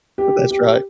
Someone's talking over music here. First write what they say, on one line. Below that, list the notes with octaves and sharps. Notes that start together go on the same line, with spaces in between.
but that's right.
G4
G4